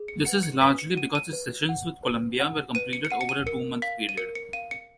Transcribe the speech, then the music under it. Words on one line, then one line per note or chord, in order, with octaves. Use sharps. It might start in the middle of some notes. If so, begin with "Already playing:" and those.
This is largely because his sessions with Columbia were completed over a two-month period.
Already playing: G#4
C#7
B4 F#5 C#7
C#7
B4 B6
C#7
F#5 D#7
D#7
B4
F#5
B4
F#5
B4 D#7
C#7
C#7
F#5 D#7
C#7
D#7
A#4 C#7
F5 B6
D#7
A#4 C#7
C#7
F5 D#7
C#7